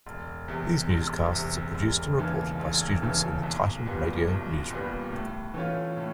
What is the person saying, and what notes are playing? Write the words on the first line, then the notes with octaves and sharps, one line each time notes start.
These newscasts are produced and reported by students in the Titan Radio newsroom.
E1
E2 C3
E1
E2 C3
E1
D#2 C#3 E3
E1
D#2 C#3 E3
B1
A#2 G3 B3
B1
A#2 G3 B3
A2
E3 A3 C#4 F4
A2